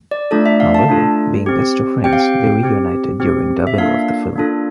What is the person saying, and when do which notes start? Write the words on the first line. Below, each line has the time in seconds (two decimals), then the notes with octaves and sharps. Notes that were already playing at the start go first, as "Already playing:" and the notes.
However, being best of friends, they re-united during dubbing of the film.
0.11 D5
0.31 A3 D4 F4 A4 D5
0.46 E5
0.60 F5
0.75 A5
0.89 A3 D4 F4 A4
1.46 C4 G4
2.04 C4 G4 G5
2.13 F5
2.20 G5
2.63 C4 G4
3.20 C4 G4
3.67 E5
3.78 A#3 D4 F4 A4 F5
4.36 A#3 D4 F4 A4